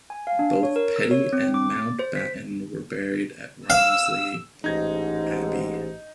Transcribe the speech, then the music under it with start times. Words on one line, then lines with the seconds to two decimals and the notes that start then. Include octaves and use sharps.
Both Petty and Mountbatten were buried at Romsey Abbey.
0.10 G#5
0.27 F5
0.39 D4
0.63 C#5
0.76 A#4
0.96 E6
1.11 C#5
1.33 C4
1.54 D6
1.73 A6
1.99 C5
2.16 B6
3.70 F5 E6
4.64 A1 G#2 D#4 G#6 A#6